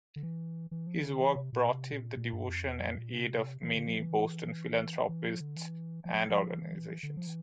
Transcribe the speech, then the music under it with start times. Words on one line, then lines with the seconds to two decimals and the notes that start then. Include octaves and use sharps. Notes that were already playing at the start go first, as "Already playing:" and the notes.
His work brought him the devotion and aid of many Boston philanthropists and organizations.
0.16 D3
0.23 E3
0.71 E3
0.87 F3
1.03 D3
1.20 E3
1.36 C3
1.53 A#2
1.69 C3
1.92 A#2
2.17 A#2
2.33 G2
2.49 F2
2.65 E2
2.81 F2
2.98 A#2
3.14 C3
3.63 E3
3.75 D3
3.87 F3
3.99 E3
5.09 E3
5.25 F3
5.41 D3
5.56 E3
6.05 F3
6.29 F3
6.54 E3
7.03 D3
7.17 F3
7.27 E3